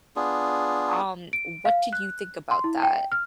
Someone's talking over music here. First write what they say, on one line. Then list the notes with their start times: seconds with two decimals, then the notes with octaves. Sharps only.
um, what did you think about that?
0.16 B3 D4 F4 G#4
1.33 D7
1.65 F5
1.93 F#6
2.51 C6
2.64 E4
2.83 G5
3.12 F6